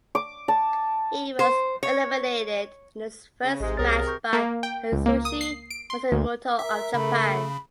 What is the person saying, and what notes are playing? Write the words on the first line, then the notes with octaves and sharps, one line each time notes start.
He was eliminated in his first match by Atsushi Matsumoto of Japan.
D6
A5
C5
C#5
C#3
A1 G#2 C3 G#3
C2 C3 G#4 A#4 C#5 A6
A#5 C#6 G6
A#3
G5
C#2
A#3
D#6
C7
D7
C6
D2
A#4 E5
C#3 A3 B5